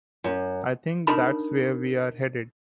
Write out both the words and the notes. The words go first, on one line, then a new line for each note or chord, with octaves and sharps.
I think that's where we're headed.
F#2
D4 D#4 A#4 D5 A5 B5